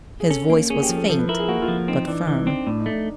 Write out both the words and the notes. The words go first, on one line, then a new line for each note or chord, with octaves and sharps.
His voice was faint but firm.
G#4
C#4 A4
A#3
C#4 G#4
G4
F3
A4
F3 A4
B4
E4 A#4
G#4
A#3 F#4
F4
F3
C4 D#4
E3 D4
E3 D#4
C4 D4
A2 D4
D#4
A3
D4